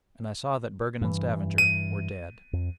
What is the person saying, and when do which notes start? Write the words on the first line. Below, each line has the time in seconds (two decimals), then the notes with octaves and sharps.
And I saw that Bergen and Stavanger were dead.
1.01 G2 E3
1.58 D#7
2.53 F2